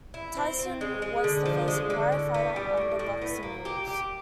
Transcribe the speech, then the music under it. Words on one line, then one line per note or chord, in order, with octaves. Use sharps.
Tyson was to face a Pride fighter under boxing rules.
E4
C4
C4
G#3
G#3
D3
F3
G#3
D3
A2
B3
G3
A2
A2
B3
A#3
G4
G4